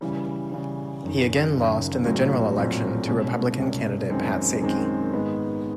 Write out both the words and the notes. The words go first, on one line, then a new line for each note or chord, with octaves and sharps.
He again lost in the general election to Republican candidate Pat Saiki.
C#3 E3 G3
C#3 E3 G3
F#1 F#2 D#3
F#1 F#2 D#3
A#1 A2 F#3 A3 C4
A#1 A2 F#3 A3 C4
C2 B2 G#3 C#4
C2 B2 G#3 C#4
F#2 D#3 G#3 C4
F#2 D#3 G#3 C4
G#2 D#3 G#3 B3 D#4